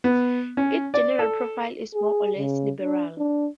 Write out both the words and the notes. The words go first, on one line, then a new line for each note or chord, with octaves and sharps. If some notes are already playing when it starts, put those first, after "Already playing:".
Its general profile is more or less liberal.
B3
C#4
D5
A4
G#4
C#3
D4
D4